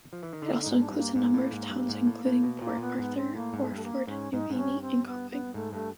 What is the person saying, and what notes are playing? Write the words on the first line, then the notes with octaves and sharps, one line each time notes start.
It also includes a number of towns including; Port Arthur, Orford, Nubeena and Copping.
F3
E3
D#3
D3 D#4
E4
D#4
G#2
D#4
D4
G2 B3
A#3
G#2 A#3
A2
G#2
G2
G#2
A2
A2
B2
A#2 A#3
A2
A#2 B3
G#2 B3
C4
A2 A#3
G#2
A3
G2 A3
A#3
G#2 C#4
G#2 D#4
G#2 C4
G2 C#4
C4
B3
B3
G#2 A3
G2 A3